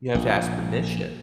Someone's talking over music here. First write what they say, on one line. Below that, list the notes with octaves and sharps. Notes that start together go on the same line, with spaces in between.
You have to ask permission.
A#1